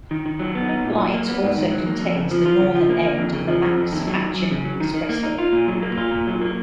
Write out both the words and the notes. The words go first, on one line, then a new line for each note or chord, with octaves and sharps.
Light also contains the northern end of the Max Fatchen Expressway.
D#3
D#3
F#3
B3
D#4
A#2
F#3
A#3
B3
G#2
D#3
F#3
A#3
F2
C#3
F3
F4
C#3
F3
A#3
A#3
F2
C#3
F3
F2
F2
D#3
F#3
F#2
F#2
C#3
F#3
D#3
D#3
A#3
D#4
F4
A#2
F#3
A#3
F4
A#2
F#3
A#3